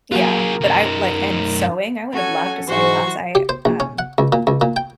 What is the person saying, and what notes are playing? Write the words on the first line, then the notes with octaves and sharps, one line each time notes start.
Yeah, but I like, and sewing, I would have loved a sewing class. I, um,
F#3 A#3 F4 F#4 G#4 A#4
F#2 D#4
C#4 F#4 A4 G#5
G#2 E3 F#3 F#4 C5 C#6
G4
C5
A#1
C#4
F#5
C#2
A#2
C#2
A#2
G5